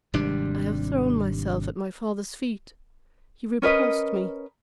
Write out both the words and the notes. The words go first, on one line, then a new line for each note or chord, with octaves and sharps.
"I have thrown myself at my father's feet; he repulsed me."
G#1 C3 G3 D4
C#4 A#4 B4 D#5